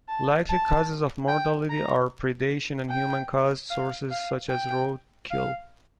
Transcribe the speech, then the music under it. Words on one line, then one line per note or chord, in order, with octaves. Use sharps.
Likely causes of mortality are predation and human-caused sources such as road kill.
A5
A5
G5
A#5
G5
F5
F5
G5
F5